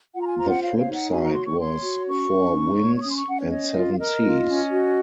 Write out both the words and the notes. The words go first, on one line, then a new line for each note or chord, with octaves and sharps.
The flip side was Four Winds and Seven Seas.
F4 F#5
A#5
G#5
C5 A#5
F#5
C#5 F5
F5
D#4
F#5
F#4 G#5
A#5
C#5 C6
C#6
C#5 C6
F#4
C#4 C#6
C#4
D#4
C#5
C#6
C#4 D#6
C6
C#6
C#4 F#5
C#5
C#5 D#5
F4
F5
A#4 D#5
F4
C#4
F#4